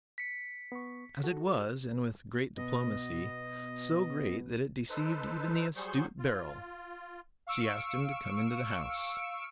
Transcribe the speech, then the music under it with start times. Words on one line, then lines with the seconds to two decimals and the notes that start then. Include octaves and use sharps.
As it was, and with great diplomacy--so great that it deceived even the astute Beryl--she asked him to come into the house.
0.18 B6 C#7
0.72 B3 C#6
1.24 F#4 A4
2.57 B2 B3 D#5
4.90 D#4 A4 B4 C5
5.76 F#3 G3 G#4 C5 C#6 G6
6.19 F4
7.47 F5 C#6 E6 C#7 D7